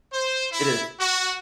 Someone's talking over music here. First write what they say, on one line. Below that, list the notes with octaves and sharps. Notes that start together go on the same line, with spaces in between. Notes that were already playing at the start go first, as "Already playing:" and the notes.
It is.
C5
E4
F#4